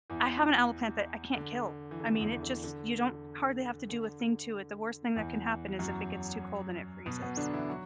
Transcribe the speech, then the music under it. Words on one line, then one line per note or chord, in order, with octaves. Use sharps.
I have an aloe plant that I can't kill, I mean, it just you don't hardly have to do a thing to it, the worst thing that can happen is if it gets too cold and it freezes,
E2 E3
D3
E3
D3
D3
E2 E3
D3
D3
D3
E2 E3
F#2 F#3
B2 B3
B2 B3
D3 D4
E3 E4
F#3 F#4